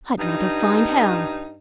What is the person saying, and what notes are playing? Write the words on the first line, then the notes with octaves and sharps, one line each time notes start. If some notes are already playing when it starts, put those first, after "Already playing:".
I'd rather find hell!
G2 D#4